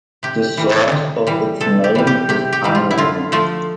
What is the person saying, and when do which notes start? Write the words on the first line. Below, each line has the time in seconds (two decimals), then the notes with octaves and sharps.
The source of its name is unknown.
0.23 C3 G4
0.57 E3 G3
0.69 A4
0.92 C3
1.27 E3 G3
1.61 C3 A4
1.84 G4
1.95 E3 G3
2.07 G4
2.29 C3 G4
2.53 G4
2.64 E3 G3
2.75 F4
2.91 E4
2.98 D3 F4
3.32 F3 A3 F4